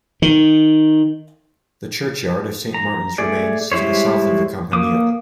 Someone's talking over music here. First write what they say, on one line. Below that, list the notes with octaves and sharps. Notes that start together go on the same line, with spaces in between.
The churchyard of Saint Martin's remains to the south of the campanile.
D#3
A#5
A3 G#4 D5
G3 G#3 E4 C5 C#5
A#3 D6 D#6